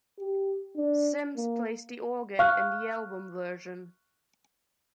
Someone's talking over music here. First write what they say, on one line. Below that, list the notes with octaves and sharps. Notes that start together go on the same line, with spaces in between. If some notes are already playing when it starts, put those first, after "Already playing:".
Sims plays the organ in the album version.
G4
D4
A#3
F5 C#6 F6 F#6